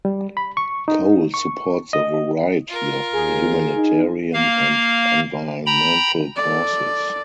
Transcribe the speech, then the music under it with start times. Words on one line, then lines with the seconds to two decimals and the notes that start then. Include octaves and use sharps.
Cole supports a variety of humanitarian and environmental causes.
0.05 G3
0.37 B5
0.57 C#6
0.88 D#4
1.34 C#6
1.93 D#5
2.68 F4 A#4
3.13 D#2 G#4
3.76 D#4
4.33 A#3 F5
5.66 G5 A#5 B5
6.36 A4 D5